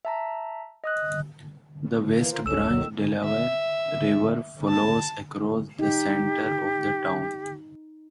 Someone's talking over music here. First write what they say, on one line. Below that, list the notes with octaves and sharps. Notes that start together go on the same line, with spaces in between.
The West Branch Delaware River flows across the center of the town.
E5 A5 A#5
D#5 D#6 F#6
E3 A#3
F4 A#4 C5
F1 C#2 C#4 A4 E6 E7
F2 D#3 F#3
E5
A5
D#4 G4